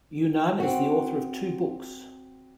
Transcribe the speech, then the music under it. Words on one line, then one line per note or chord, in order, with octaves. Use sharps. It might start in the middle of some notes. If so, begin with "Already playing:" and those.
Younan is the author of two books.
C4 F#4